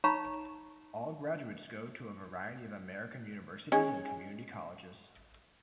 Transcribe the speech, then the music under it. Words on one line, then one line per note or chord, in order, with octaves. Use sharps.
All graduates go to a variety of American universities and community colleges.
D#4 C#5 F5 A#5 B5 C#6
G#3 C#4 G#4